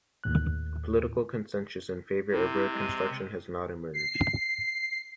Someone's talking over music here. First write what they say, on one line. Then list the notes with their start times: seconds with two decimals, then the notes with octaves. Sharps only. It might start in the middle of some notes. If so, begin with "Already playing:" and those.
Political consensus in favor of road construction has not emerged.
0.24 D#2 A2 F#6
2.31 C3 E4
2.72 G#3 D#5
3.94 C7